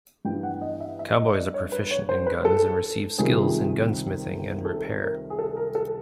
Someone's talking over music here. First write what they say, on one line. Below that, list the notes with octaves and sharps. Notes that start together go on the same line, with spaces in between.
Cowboys are proficient in guns and receive skills in gunsmithing and repair.
G2 E3 G3 B3 G5
F#5
D#5
E5
E5
D#5
D5
C#5
B4
C#5
C5
B4
A4
C#2 C3 D#3 G3 C4 G#4
A4
A#4
G#4
A4
A#4
A4